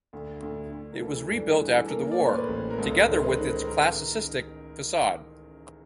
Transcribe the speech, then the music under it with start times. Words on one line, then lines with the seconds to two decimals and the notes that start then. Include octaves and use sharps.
It was rebuilt after the war, together with its classicistic facade.
0.13 D2
0.42 D2
0.71 D2
0.92 A#4
1.00 E3 A4
1.30 G2
1.60 E3
1.84 A4
1.90 A#3 A#4
2.11 D5
2.20 A2 C#5
2.26 C5
2.34 B4
2.48 A1
2.70 A#4
2.78 C#2 A4
3.08 D#3 C5
3.23 B4
3.37 D#3
3.67 A#4